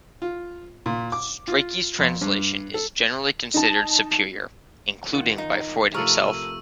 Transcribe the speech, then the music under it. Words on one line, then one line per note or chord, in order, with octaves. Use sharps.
Strachey's translation is generally considered superior, including by Freud himself.
F4
A#2
D6
F4
F2
G2
A4
D#4 A5
D#3 F4 F#5
D#4
C3 F3 A3 A#4 C#6 E6 D#7